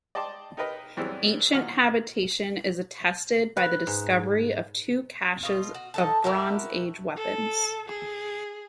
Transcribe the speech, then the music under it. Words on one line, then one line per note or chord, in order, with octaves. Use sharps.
Ancient habitation is attested by the discovery of two caches of Bronze Age weapons.
D5 D#5 G5 A5 C6 D6
D#4 G4 A#4 B4 D#5
F#2 E3 G3 G#3 C4 C#4
D#2 A#2 F#4 F6
B4
G#2
B2 F4
F#4
D#4 A4 A5
E4 F#4 G4 A#4
A4
G#4